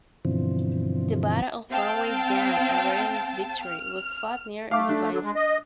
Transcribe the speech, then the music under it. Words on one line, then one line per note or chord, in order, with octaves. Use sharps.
The Battle of Roundway Down, a Royalist victory, was fought near Devizes.
G2 B2 D3 E3 F3 C4
C4 F5 G5 A5
F6
A3 F5 D6
D4
D3 F#3
G#3
D#5